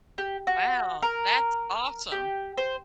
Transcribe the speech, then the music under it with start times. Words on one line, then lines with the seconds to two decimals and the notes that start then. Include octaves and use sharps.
Wow! That's awesome!
0.18 G4
0.47 F#4
1.02 A#4
2.12 G4
2.57 C5